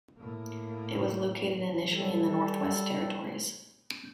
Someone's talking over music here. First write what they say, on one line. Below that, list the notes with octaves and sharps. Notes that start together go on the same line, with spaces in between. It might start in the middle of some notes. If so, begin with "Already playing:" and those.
It was located initially in the Northwest Territories.
A2 A#3
G3 A4